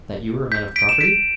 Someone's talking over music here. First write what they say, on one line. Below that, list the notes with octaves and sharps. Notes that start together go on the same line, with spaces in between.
'That you are a man of property?'
G6 B6
B6 D7
E7
B6 D7